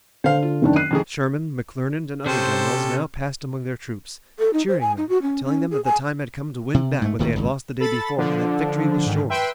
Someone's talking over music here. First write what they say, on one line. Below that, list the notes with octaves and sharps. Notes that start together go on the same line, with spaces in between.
Sherman, McClernand and other generals now passed among their troops, cheering them, telling them that the time had come to win back what they had lost the day before, and that victory was sure.
D3 C5 F5
F4
F#1 D#3 D4
F#6 C7 D#7
F2 D#3 G#4
C3 C#4 G4 A4 C5
A4
D#4
C5
G#5
D#4
F#4
C#4
C#4
G#4
G#5
C3
G#2 A3
D#1 A2 D#3
G#1 C#2
A4 B5 A6
D3 F3 D4
G#2 D#3
B4 E5 G5 C6